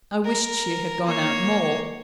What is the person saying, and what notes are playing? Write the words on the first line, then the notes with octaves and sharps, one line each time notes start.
I wished she had gone out more.
A#4
A#3 C#5